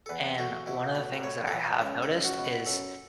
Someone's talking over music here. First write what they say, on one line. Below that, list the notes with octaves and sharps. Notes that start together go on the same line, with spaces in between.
and one of the things that I have noticed is,
A4
E2 B4
A3 F#4
B2 E4
A2 B4
B4
A2 C#5
A4
E3 B4
C#2 B4
A4
C#2
F#4
B2
B4
F#2 A4